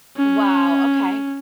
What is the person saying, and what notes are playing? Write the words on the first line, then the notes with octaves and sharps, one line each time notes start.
Wow, okay.
C#4